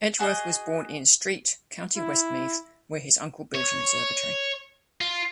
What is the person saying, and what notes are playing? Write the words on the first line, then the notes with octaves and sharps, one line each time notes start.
Edgeworth was born in Streete, County Westmeath, where his uncle built an observatory.
F#4 G#4 A4 D#5
E4
C#5
F4